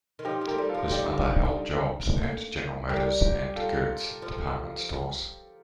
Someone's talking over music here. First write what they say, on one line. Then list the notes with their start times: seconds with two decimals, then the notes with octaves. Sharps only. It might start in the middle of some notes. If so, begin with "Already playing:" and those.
His mother held jobs at General Motors and Gertz department stores.
0.19 D#3
0.25 F3 D#4 G4
0.41 F3
0.47 A3 G4 A#4
0.58 G3
0.69 F4 A4
0.74 F3
0.91 G3 D#4 G4
1.13 D4 F4
1.35 D#4 G4
2.18 A3
2.23 A#3
2.89 G3 G4 A#4
3.56 F4 A4
4.22 F3